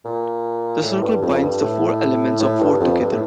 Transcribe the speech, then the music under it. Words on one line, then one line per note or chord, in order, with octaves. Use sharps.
The circle binds the four elements of four together.
A#2
A2
G2
F2
G2
A2
A2
G2
F2
G2
A2